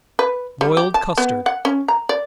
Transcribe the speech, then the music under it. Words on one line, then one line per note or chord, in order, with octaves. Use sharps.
Boiled Custard.
B4
G3
G4
A5
B3
F#5
C#4
A#5
D5